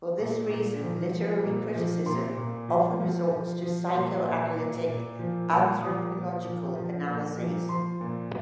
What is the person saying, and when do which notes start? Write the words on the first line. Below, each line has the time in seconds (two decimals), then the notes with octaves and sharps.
For this reason literary criticism often resorts to psychoanalytic, anthropological analyses.
0.19 A#2
0.50 A#2
0.81 F3
1.12 F3
1.44 A#2
1.75 F3
2.06 A#2 C6
2.37 A#2
2.69 F3
3.00 F3
3.31 F3
3.62 F3
3.94 A#2 C6
4.25 A#2
4.56 A#2
4.88 A#2
5.19 F3
5.50 A#2
5.81 F3 D#6
6.13 A#2
6.44 F3
6.75 F3
7.07 A#2
7.38 F3
7.69 F3 C6
8.01 A#2